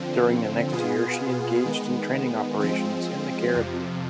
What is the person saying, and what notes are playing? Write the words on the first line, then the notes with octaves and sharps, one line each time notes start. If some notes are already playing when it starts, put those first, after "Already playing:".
During the next year she engaged in training operations in the Caribbean.
Already playing: D3 F3 C4
B2 B3 F4 G#4
D#3 G#3 B3
F3 G#3 C4
F2 C3 F3